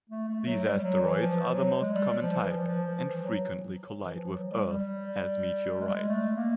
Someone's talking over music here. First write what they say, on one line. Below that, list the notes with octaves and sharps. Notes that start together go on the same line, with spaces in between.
These asteroids are the most common type, and frequently collide with Earth as meteorites.
A3
A3
F#3
G3
F#3
E3
F3
F#3
G#3
G3
F3
E3
F3
F3
F3
E3
F#3
E3
F3
F#3
G3
G3
G#3
G3
G#3
A3
A#3